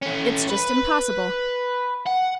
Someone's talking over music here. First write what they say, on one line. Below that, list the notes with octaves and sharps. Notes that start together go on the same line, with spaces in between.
It's just impossible!
A3 C#4
B4 B5
F#5